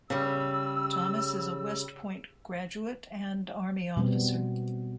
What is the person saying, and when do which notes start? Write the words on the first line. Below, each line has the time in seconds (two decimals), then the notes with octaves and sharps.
Thomas is a West Point graduate and Army officer.
0.10 C#3 G3 E6
3.97 B2 G3 B3 C4